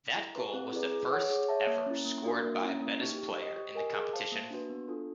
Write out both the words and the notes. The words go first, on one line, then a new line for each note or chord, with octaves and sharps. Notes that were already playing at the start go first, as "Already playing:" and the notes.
That goal was the first ever scored by a Betis player in the competition.
E4
G4 B4
C4
E4 G#4 B4 D5
G#4
C#5 F#5
G#4
C#5 E5 A5
A#3
C#4 E4
A#3
D4 F#4 A#4
A#3
C#4 E4
A#3
D#4 G4
G4
C5 D#5
G4
A#4 D#5 G#5
G#4
C5 F5 A5
A#3
D4 F#4 B4
B3
D4 F4 A4